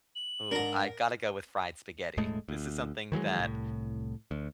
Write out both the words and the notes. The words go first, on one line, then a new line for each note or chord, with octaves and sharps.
Ooh, I gotta go with fried spaghetti. This is something that
F#7
G#2 D4 A#4 A#5
E1 A2 G#3 A3
D2
D#3 E3 F#3 G#3
C2 A2
D2